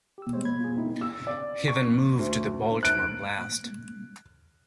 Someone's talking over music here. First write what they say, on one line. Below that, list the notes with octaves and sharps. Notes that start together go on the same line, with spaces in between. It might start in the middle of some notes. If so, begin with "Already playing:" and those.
He then moved to the Baltimore Blast.
G4 E6
G3 G#3 B3 C5 C#5
B5 G#6
F4 G#4
C4 D#4 E4
E6
D5
C#6
D2
F#6 D7